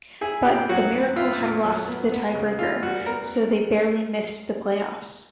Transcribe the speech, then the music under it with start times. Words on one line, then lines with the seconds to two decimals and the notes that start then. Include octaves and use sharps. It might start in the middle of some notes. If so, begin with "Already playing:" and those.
But, the Miracle had lost the tie-breaker, so they barely missed the playoffs.
0.21 E4 G#4
0.45 A#2 G4
0.69 F#3 F#4
0.93 B3
1.16 E4 F4
1.40 A#2
1.65 F#3
1.87 B3
2.12 B3
2.35 C#3
2.59 E3 F4
2.82 G3 F#4
3.06 B3 A#4